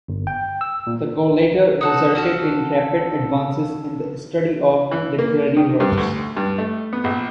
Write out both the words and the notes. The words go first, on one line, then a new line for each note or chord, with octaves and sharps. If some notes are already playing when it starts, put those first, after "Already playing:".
The collator resulted in rapid advances in the study of literary works.
G1
G5
E6
A#2
D#4 F#4 A4
C#4 F#4 A4
E3
A#3
D#3
G2
D2
G2
A3
B3
A#1